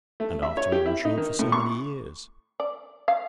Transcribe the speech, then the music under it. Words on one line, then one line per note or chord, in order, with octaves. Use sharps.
And after we've insured for so many years!
A3
E5
C#5
G4
E4
D#4
D#3
A2
C#6
D5
F5